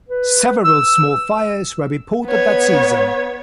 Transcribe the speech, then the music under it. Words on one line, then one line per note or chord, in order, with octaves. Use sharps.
Several small fires were reported that season.
B4
E6
B3 C#5